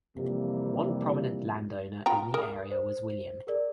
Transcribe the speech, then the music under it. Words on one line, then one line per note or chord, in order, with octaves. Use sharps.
One prominent land-owner in the area was William.
F2 C3 E3 G3 A#3
F4 G5 A#5
A#4 D#6
C5
G#4 A#4 D5